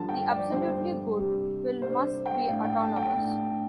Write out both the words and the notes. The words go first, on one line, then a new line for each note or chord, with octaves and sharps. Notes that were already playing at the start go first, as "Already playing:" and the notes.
The absolutely good will must be autonomous.
Already playing: G2 D3 F3 A5
G5
D5
G2 D3 F3 C5
C3 G3 D4
C3 G3 D4 C5
G5
A2 A3 D4 F5
G5
A5
G5
A2 A3 D4